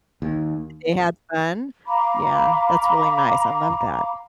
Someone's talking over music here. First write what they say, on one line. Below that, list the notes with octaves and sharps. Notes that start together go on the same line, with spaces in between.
They had fun? Yeah, that's really nice. I love that.
D#2
F5 A#5 B5 D6